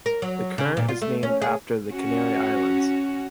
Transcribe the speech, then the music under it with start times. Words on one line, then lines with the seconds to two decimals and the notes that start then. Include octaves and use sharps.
The current is named after the Canary Islands.
0.06 A#4
0.22 F#3
0.58 C#3
0.77 A#2
0.88 F4
1.02 A3
1.23 C#4
1.42 G#4
1.88 C#4 F#4